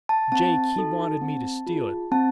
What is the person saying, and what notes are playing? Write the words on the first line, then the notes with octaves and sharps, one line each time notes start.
Jake, he wanted me to steal it.
A5
C4 A5
D#4 F#4 A4
C4
F4 G#4
C4 A5